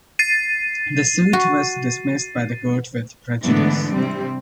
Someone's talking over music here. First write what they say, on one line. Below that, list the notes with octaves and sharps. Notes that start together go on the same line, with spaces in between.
The suit was dismissed by the court with prejudice.
A6 C7 D#7
F#4
G#2 D3 E3 A3 B3 D4
C3 G3 C4